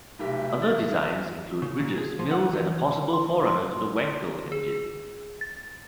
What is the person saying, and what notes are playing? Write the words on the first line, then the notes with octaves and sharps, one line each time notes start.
Other designs include bridges, mills, and a possible forerunner to the Wankel engine.
F1 B1 G4 E5
A6
C#3
A#2
G#4
F3
F#5
E3
C6
C6
G#4
A6